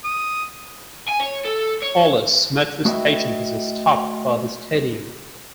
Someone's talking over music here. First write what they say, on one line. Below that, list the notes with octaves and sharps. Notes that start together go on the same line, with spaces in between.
Ulus Metro Station has a stop for the stadium.
D#6
G#5
C#5
A4
C#5
A3 F#4 B4 D#5 E5 G5